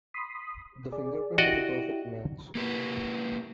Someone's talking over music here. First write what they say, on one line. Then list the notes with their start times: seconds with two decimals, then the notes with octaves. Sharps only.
The fingerprint is a perfect match.
0.14 B5 C6 D#6
0.92 G#4 D5
1.38 E4 F#4 G4 D5 D#5
2.55 A#3 G4 B4